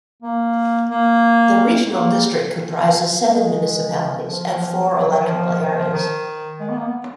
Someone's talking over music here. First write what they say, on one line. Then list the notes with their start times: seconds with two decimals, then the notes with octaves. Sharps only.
The regional district comprises seven municipalities and four electoral areas.
0.22 A#3
0.90 A#3
1.90 A#3
3.25 G#3
4.25 F3
4.93 F#3
5.10 F#3
5.20 D#3
5.26 F3
5.60 D#3
5.76 F3
5.93 D#3
6.60 G#3
6.69 B3
6.78 A#3
6.86 B3